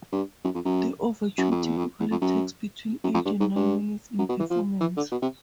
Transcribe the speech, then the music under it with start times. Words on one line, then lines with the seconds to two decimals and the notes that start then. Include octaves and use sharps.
The overture typically takes between eight and nine minutes in performance.
0.12 G2
0.44 F#2
0.54 F2
0.65 F#2
1.38 F#2
1.51 F2
1.65 E2
1.77 F2
2.00 E2
2.11 F2
2.21 F#2
3.04 F#2
3.14 F2
3.25 G2
3.40 G#2
3.56 G2
4.19 F#2
4.29 B2
4.39 E3
4.50 F3
4.81 E3
4.97 D3
5.12 B2
5.22 C3